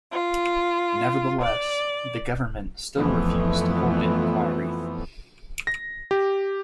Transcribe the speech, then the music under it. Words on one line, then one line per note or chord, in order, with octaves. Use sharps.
Nevertheless, the government still refused to hold an inquiry.
F4
D5
F2 E3 F3 A3 B3
A#6
G4